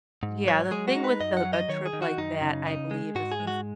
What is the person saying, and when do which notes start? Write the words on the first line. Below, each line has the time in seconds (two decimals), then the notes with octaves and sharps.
Yeah, the thing with the a trip like that, I believe, is ins
0.23 G#2
0.47 F#3 C#5
0.71 G#3 G#4
0.88 F#4
0.96 D#4
1.04 B4
1.20 F#2 D#5
1.37 F#5
1.45 F#3
1.53 D#5
1.69 D#3 C#5
1.86 G#4
1.93 D#3
2.02 F#4
2.18 F#2 D#4
2.42 C#3
2.67 D#4
2.91 G#3
3.15 G#2 F#4
3.32 G#4
3.40 G#3
3.47 F#4